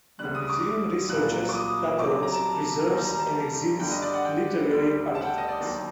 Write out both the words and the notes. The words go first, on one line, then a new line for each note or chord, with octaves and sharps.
The museum researches, catalogs, preserves, and exhibits literary artifacts.
D2 D3 G3 F#6
D#6
D6
C2 A#2 F#3 F#6
D6
D#6
C2 C3 F#3 D6
A#5
A5
D#2 D#3 G3
A#5
A5
G2 D3 G3 G5
D#5
D5
F#5
G5
D2 D3 G3
A5
F#5
G5
D#5
D5
D#2 D#3 F#3